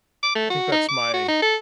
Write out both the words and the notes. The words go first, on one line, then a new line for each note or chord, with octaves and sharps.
I think that's my
D6
A3
F#4
D#4
D6
F#4
D#4
A4